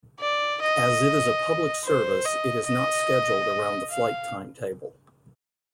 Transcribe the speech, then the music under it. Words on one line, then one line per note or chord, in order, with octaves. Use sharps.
As it is a public service it is not scheduled around the flight timetable.
D5
D#5
C5
D#5
D#5
F5